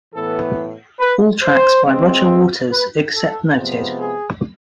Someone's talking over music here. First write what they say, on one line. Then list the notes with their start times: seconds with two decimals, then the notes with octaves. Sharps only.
All tracks by Roger Waters except noted.
0.14 A2 E3 B3 A4
1.00 B4
1.42 C5
1.85 E3 G#3 C4
2.71 B4
3.14 A4
3.56 C3 F3 G#3 B3
3.99 G#4